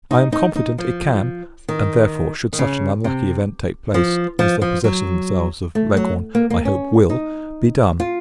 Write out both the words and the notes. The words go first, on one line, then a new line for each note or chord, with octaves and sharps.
I am confident, it can--and, therefore, should such an unlucky event take place, as their possessing themselves of Leghorn, I hope, will--be done.
D#4
D#4
D#4
F3
D#3
D#3
C#3
C3
F3
F3
F3
F#3
A3
F#3
A#3
A#3
C#4
D#4
F4